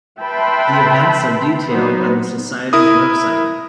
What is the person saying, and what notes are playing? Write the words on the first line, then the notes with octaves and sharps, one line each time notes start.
The events are detailed on the society's web site.
B4 E5 G5 A5 B5 C6
F#3 B3 D#4 C5
E4 A#4 D#6